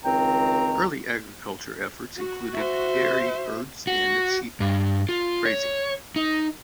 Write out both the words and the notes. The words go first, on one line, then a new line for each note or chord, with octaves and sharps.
Early agricultural efforts included dairy herds and sheep raising.
C#2 D#3 C4 G5 A#5
F#4
C5 E5
F#4
G2
F4
C#5
D#4